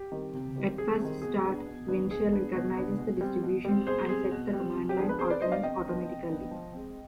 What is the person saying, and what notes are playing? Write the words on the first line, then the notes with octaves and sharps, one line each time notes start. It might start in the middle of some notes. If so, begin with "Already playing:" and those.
At first start, WinShell recognizes the distribution and sets the command-line arguments automatically.
Already playing: G4
D#3 G3 C4
C3
D#3 G3 C4
C3 G#4
D#3 G3 C4
B2 G#4
B3 D4
B2
B3 D4
B2 G#4
B3 D4
B2
B3 D4
B2
G3 C4
B2
G3 C4
B2 G#4 C5
G3 C4 G#4
B2
G3 C4
C3
G4
F3 B3 D4 G#4
B4
C3 G#4 C5
B4 D5
F3 B3 D4 C5 D#5
D5 F5
C3 D#5 G5
F3 B3 D4
C3
F3 B3 D4
F3
G#3 C4